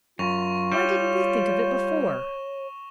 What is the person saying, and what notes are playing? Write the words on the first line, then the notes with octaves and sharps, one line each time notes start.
"Why didn't we think of it before?"
F#2 F4 C#6 A#6 F7
G3 C#5 E7 G7